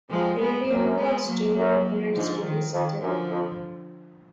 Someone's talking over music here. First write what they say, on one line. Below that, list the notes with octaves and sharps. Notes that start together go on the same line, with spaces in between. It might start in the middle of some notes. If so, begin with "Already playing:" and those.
Avianca still operates to this day.
F2 F3 G#3
G#3 B3
F#2 F#3 A#3
G#3 B3
F#3 A#3
F#2
G#2 D3 F3
D#3
F2 D#3
F#2 D3 F3
F2